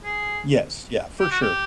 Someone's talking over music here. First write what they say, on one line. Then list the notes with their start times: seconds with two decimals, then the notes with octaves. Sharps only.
Yes, yeah, for sure.
0.04 G#4
1.20 G4
1.31 F#4
1.42 G4